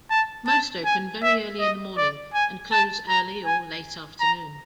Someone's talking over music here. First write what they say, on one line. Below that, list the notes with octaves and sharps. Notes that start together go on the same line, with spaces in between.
Most open very early in the morning and close early or late afternoon.
A5
A5
G#5
E5
D#5
D5
G#5
A5
A#5
G#5
A#5